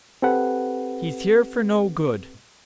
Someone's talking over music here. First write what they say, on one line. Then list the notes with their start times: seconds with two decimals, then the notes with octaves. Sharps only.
He's here for no good.
0.22 C4 G4 A4 B4 F#5